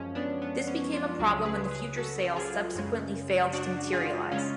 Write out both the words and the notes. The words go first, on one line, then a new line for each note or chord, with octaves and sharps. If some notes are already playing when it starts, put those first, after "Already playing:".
This became a problem when the future sales subsequently failed to materialize.
Already playing: F#2 F3 G#3 C#4
B3 D4
B3
C#4
C#4 F4
C#2 C#3 F#3 D4 F#4
G#4 B4
G#4 B4
F#4 A4
F4 G#4
F#2 C#3 G#3
D4 F#4
F4 G#4
C#3 G#3 C#4 F4